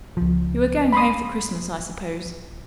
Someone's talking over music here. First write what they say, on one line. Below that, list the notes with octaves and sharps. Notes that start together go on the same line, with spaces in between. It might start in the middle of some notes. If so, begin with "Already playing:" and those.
"You are going home for Christmas, I suppose."
C#2 F3
B5 C6 D#6